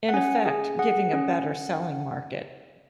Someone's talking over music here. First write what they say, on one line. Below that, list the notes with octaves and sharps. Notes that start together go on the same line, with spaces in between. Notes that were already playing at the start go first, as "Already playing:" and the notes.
In effect, giving a better selling market.
F#5
C#4 G#5
G#4
G#4 F#5
C#4